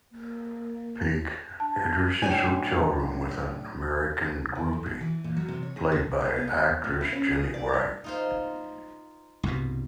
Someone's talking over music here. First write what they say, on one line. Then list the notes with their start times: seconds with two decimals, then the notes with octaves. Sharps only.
Pink enters his hotel room with an American groupie, played by actress Jenny Wright.
0.12 A#3
1.60 D4 A5
2.22 A2 F#3 D4 G#5
4.55 D#3
4.73 F2
4.86 B2
5.01 E3
5.24 A#2
5.37 F#3
5.49 C3
5.63 C#5
5.77 G#4
5.92 D3
6.21 G#3
6.36 B3
6.48 G#3
6.64 E2
6.84 A2
7.01 E4
7.12 C#4
7.33 G#4
7.54 D5
7.74 G2
8.04 D#4 F4 C5
9.43 C2 G2 B2